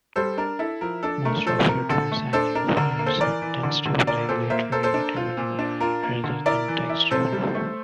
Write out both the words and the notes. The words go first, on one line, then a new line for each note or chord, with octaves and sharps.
Most offshore domiciling of funds tends to be regulatory driven rather than tax driven.
G3 A4 C5
D4 A#4
E4 A4
F3 A#4
D4 A4
A3 A#4
F3 A4 C5
C3 A#4
D3 A4
A3
D4 A4 C5
D4 A#4
D3 A#4
A#4
A#3
A4 C5
E3 A#4 D5
E3
D3
D3
A#2 A#4 D5
A#2 A4 C5
A#3 C5 E5
A#3 A4 C5
A4 C5
D4
F4
A#2
D4
F4 A#4
A#3
D3
E4 A#4 D5
E3
E4
C3 A4 C5
G3
A3